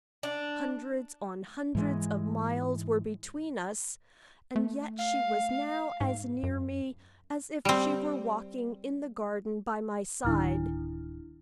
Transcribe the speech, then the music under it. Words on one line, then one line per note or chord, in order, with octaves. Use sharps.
Hundreds on hundreds of miles were between us--and yet she was now as near me as if she were walking in the garden by my side!
D4
G#2 E3 G#3
A3
F5
G#2
F#2
G3 C4
D1 D#3 D4 E4 F6